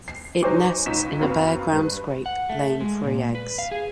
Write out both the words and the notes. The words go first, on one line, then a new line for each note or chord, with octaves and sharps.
It nests in a bare ground scrape, laying three eggs.
C7
F#3 D#4 C5 C#5 G#5 D6
C#2 D#4 C#6 B6 E7
F#2 B3 C4 F5 B5 C#6
G2 B4
F#5
A3
G#3
A#2
B4
F5
G#4